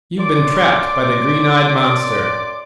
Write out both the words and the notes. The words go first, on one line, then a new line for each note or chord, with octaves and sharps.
You've been trapped by the green-eyed monster.
F#2 D5 C6 D6